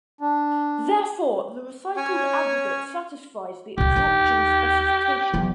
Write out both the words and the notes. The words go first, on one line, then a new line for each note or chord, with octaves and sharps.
Therefore, the recycled aggregate satisfies the absorption specification.
D4
C#4 C#5 G#5
C#2 A#2 G4
D#2 D#4
E2 F#3